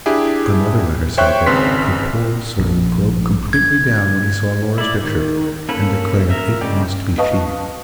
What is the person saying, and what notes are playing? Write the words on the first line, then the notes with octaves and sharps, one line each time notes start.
Another letter said that "the poor soul broke completely down when he saw Laura's picture, and declared it must be she."
D4 E4 G4 G#4
C5 C#5 E5 G5 C#6 F#6
G#1 C#3 C4 B4 C6 B6
A#1
G#6
E4 D5
D#3
A#3 C#4 A4 B4
A#4 E5
C#3 G#3 D5 G5
B4 D#5 F5 A5 C#6